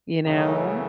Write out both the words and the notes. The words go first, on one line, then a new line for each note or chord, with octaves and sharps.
you know,
F#2 C#3 E3 A3 D#4